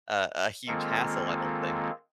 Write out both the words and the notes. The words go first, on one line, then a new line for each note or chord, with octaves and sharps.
a a huge hassle, I don't think.
D#3 G#3 A#3 C4 F4 A4